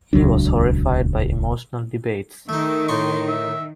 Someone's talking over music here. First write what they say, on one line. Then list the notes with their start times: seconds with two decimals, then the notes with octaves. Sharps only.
He was horrified by emotional debates.
0.13 D#1 C#2 F#3 D4
2.49 D#3 A3 D#4 E5
2.89 A2 D#4 C6 C#6
3.28 E5